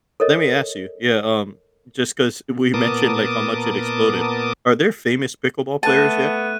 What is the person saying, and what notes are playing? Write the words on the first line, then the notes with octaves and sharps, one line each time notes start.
let me ask you yeah, um, just 'cause we mentioned, like, how much it exploded. Are there famous pickleball players yet?
A4 A#4 C#5 D#5
A#2 B3 A#4 A5 D6 D#6
A3 B3 A5 F#6 D#7